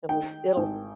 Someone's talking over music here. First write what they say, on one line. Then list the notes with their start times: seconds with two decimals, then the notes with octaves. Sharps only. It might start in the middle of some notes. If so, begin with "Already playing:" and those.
It’ll it'll
0.09 D#3 G5
0.57 G#1